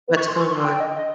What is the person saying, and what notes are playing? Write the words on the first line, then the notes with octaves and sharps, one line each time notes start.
What's going on?
C#6
C6
C#6
C6
G5
D#5
D#5